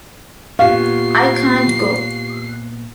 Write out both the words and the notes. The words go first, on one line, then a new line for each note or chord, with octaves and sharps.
I can't go!
A#2 B3 F4 G4 F5 C#6 C7